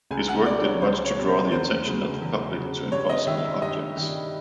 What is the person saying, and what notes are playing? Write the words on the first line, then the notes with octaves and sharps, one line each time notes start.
His work did much to draw the attention of the public to impossible objects.
C#2 G#5
F#5
B2 G3 D5
C#5
C#2 C5
C#5
B2 G3
C5
E2 C5
C#3 F#3
E2
C#3 F#3
G2 C#5
D#5
D#3 G3 E5
E5
G2 D#5
D#3 G3